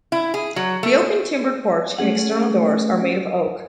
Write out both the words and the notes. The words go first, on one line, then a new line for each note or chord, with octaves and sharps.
The open timbered porch and external doors are made of oak.
E4
G#4
F#3
A3
A3 C#4 G#4 F#5